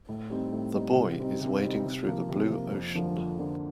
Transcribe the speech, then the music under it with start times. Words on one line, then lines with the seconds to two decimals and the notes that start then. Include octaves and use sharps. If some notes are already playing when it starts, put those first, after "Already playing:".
The boy is wading through the blue ocean.
0.09 A2
0.30 G3 C4 D#4
0.53 A2
0.75 G3 C4 D#4
0.96 C3
1.19 G3 C4 D#4
1.41 C3
1.62 G3 C4 D#4
1.84 C3
2.07 F3 A#3
2.29 C3
2.50 F3 A#3
2.72 F2
2.95 D3 F3 A#3
3.17 F2
3.39 D3 F3 A#3